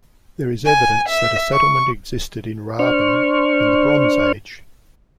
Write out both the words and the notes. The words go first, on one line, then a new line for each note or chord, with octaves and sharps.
There is evidence that a settlement existed in Ruabon in the Bronze Age.
G#5
E5
C#6
D4 C5 C#6 F6